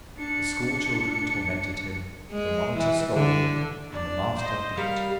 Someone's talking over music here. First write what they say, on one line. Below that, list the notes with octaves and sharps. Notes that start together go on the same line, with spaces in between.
The school-children tormented him, the monitor scolded, and the master beat.
D4 C#7
G#3
E3
D3
D4 D5
C5 D#5
G3 G4 A#4 F5